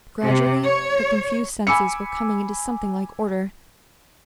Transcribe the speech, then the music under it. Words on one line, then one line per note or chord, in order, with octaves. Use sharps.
Gradually her confused senses were coming into something like order.
C3
C#5
G#5 B5 D6 E6 C#7